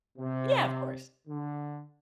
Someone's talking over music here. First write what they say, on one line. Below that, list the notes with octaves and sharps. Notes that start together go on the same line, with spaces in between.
Yeah, of course.
C3
D3